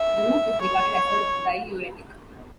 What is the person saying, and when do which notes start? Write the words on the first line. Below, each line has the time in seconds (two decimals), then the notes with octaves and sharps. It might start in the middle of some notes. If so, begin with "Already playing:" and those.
The root is regarded as a diuretic.
Already playing: E5
0.61 C#5